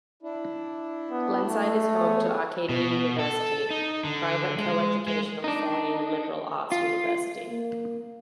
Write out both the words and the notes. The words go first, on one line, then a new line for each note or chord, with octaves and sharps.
Glenside is home to Arcadia University, a private co-educational four-year liberal arts university.
D4 E4
B3
A3
B3 G#4 C#5
B2
A4
D#4
D3
G#3
G#3
D4 D#4
F4
A#3